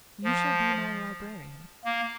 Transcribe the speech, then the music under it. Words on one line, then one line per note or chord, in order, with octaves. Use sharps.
You shall be my librarian.
F3
A#3